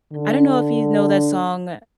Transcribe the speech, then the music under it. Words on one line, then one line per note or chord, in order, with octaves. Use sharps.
I don't know if you know that song,
D3